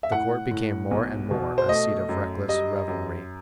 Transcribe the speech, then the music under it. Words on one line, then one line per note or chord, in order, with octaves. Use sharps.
The court became more and more a seat of reckless revelry.
E5
A2 F#5
A2
B1
B2
C5
A3 D#5
F#2
G3 D#5
F#2